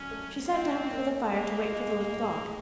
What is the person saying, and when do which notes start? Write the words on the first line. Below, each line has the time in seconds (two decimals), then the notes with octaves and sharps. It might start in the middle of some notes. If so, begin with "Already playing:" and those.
She sat down before the fire to wait for the little dog.
Already playing: F#3 C#4 D4
0.11 A3
0.51 C4 D#4
0.92 A#3
1.32 G#3 A#3
1.72 G#3
2.13 A2